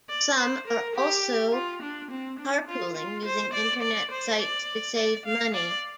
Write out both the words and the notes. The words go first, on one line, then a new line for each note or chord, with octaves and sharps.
Some are also carpooling using Internet sites to save money.
D5
C5
A#4
G4
F4
D4
C4
D4
F4
F4
C5
D5
D5
C5
D5
D5
F5
D5